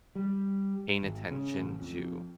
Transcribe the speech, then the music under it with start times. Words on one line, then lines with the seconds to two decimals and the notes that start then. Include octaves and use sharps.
paying attention to
0.15 G3
1.03 G#1
1.31 C#3
1.58 A1
1.80 F2